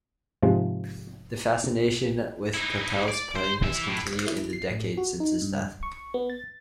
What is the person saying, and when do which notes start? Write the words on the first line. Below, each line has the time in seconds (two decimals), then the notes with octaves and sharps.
The fascination with Kapell's playing has continued in the decades since his death.
0.43 G#2 C3 F3 G#3
2.54 D#4 E4
3.08 D5
3.36 C5
3.63 E3 E5
3.88 A2
4.27 E4
4.53 C7
4.70 A2
4.98 F#4
5.20 D#4
5.42 G2
5.83 C#6
6.14 B3
6.30 A6